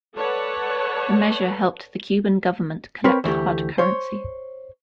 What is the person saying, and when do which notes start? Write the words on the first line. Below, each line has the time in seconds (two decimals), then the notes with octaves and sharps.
The measure helped the Cuban government collect hard currency.
0.15 A4 B4 C#5 D5 F#5 A5
3.04 C4 A#4 B4 C#5
3.24 D2 E3 A3 G4
3.78 C5 C#5